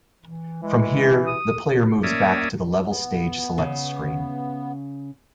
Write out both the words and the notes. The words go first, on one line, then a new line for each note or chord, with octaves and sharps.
From here, the player moves back to the level's stage select screen.
E3
E3 G#3
D#6
A#3 C#4 D5 E5 D#6
B3
C#3